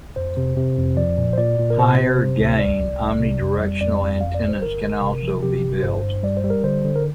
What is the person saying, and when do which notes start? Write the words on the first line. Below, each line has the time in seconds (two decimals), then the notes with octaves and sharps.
Higher-gain omnidirectional antennas can also be built.
0.16 F2 C5
0.37 C3
0.57 C3
0.78 F2
0.97 F3 D5
1.18 A#2
1.33 C5
1.38 A#2 D5
1.59 A#2
1.70 A#4
1.78 C3 C5
1.98 C3
2.19 C3
2.39 D2
2.59 C2 D5
2.79 C2
3.01 C2
3.20 C3
3.40 F2
3.61 G3
3.81 F2 D5
4.01 F2
4.21 G1 F5
4.34 D5
4.41 G1
4.48 C5
4.62 G1 A#4
4.83 G1
5.02 C3
5.22 F3
5.43 C3 G4
5.63 G1
5.83 G2 C5
6.03 G2
6.23 G3 D5
6.37 C5
6.44 G3
6.50 A#4
6.64 D3 C5
6.85 D3
6.96 A#4